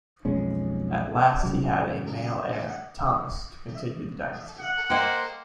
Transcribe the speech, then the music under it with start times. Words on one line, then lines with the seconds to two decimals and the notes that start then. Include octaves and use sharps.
At last he had a male heir, Thomas, to continue the dynasty.
0.25 B1 F2 G#3 C#4
1.43 C#3 F#3
4.60 F#5
4.90 A#3 C5 D#5 G5